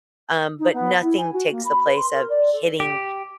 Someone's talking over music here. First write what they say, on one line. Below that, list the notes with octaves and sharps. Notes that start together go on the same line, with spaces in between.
um, but nothing takes the place of hitting
D#4
B3
E4
G#5
F#4
A#3
B5
B4
C6
A#4
D5
A4
G4